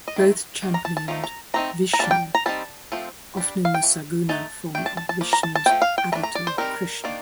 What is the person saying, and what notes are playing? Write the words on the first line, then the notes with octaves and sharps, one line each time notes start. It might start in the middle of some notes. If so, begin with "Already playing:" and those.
Both championed Vishnu, often in the "saguna" form of Vishnu's avatar Krishna.
D#5
D#3 A3 C4
D#3 A#3
A#5
A5
A5
F3 A3 D#4 A#5
A#5
A3 C4 D#4 A#5
A#5
G3 A#3 D4 A5
G5
A#5
G3 C4 D#4 A5
F3 A3 C4
G3 D4
F5
G5
F3 A3
A3 D#4 A5
A3 D4 G5
A5
A5
A5
F3 A#3
A#5
A5
A5
F3 A3 C4 G5
F5
G5
A3 D4 A#5
A#5
D5
C5
G3 C4 D#4 A#4
D#3 A#3 D4 D5